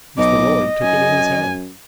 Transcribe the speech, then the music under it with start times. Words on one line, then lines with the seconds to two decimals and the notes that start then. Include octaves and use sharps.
Mr. Lorry took it in his hand.
0.18 B1 D#5 D6
0.82 F#2 G#5